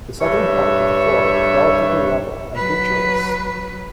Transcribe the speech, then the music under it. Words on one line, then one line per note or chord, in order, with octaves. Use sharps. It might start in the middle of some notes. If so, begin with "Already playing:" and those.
The southern part of the floor is relatively level and featureless.
G2 C#5 E5
F#3 B4